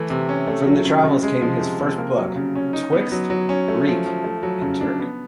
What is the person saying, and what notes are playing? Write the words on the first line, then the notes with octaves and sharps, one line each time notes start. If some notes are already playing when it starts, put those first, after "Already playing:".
From the travels came his first book, "Twixt Greek and Turk".
Already playing: E3 A3
C3
C#4
A3
F#3
C#3
C#3
G#3
F3
C3
C3
A#3
F#3
C#3
C#4
D#4
B3
F#3
F#3
C#4
A3
F3
F3
A3
F#3
C#3
D4
B3